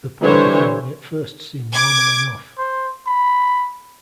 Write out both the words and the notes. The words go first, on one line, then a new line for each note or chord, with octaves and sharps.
The Porter family at first seem normal enough.
D3 E3 G3 C5 C#5
D6 G#6
C5
B5